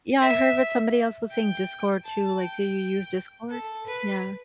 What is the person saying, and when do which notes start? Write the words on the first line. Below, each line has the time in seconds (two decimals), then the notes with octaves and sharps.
Yeah, I heard what somebody else was saying Discord too. Like, do you use Discord? Yeah.
0.21 E5
1.31 G5
2.04 A5
2.40 G5
3.50 A4
3.86 B4